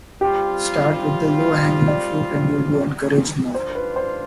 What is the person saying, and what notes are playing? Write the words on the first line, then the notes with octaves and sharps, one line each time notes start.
Start with the low hanging fruit and you'll be encouraged more.
G3 C4 F4 G4
D5
D3 G3 D4 F4 C5
B4
C5